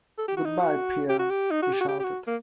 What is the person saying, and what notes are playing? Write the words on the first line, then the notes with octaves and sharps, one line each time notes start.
Goodbye, Pierre, he shouted.
A4
G4
F#4
D#4
F#4
G4
F#4
G4
D#4
F#4
G4
F#4
G4
G4
F#4
A#3